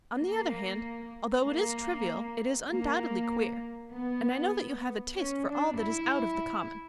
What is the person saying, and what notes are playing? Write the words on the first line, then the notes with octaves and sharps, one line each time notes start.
On the other hand, although it is trivial, it is undoubtedly queer, and I know that you have a taste for all that is out of the common.
A#3
A#3
A#3
B3
C#4
D4
E4